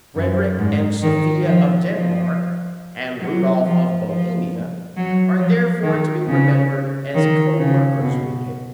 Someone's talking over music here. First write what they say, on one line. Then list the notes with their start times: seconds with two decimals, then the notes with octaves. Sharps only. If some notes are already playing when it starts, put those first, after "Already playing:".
Frederick and Sophia of Denmark, and Rudolph of Bohemia, are therefore to be remembered as co-workers with him.
0.16 F#2
0.58 G#2
1.03 D#3
1.46 F3
1.91 F3
3.21 F#3
3.65 F3
4.08 F3
4.97 F#3
5.39 F3
5.83 D#3
6.27 C#3
7.14 D#3
7.59 C#3
8.01 B2